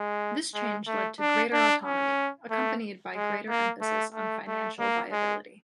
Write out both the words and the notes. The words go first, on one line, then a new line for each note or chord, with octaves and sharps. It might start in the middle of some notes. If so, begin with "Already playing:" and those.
This change led to greater autonomy, accompanied by greater emphasis on financial viability.
Already playing: G#3
G#3
A3
D4
D4
C#4
A3
G#3
A#3
A3
A3
A3
A#3
G#3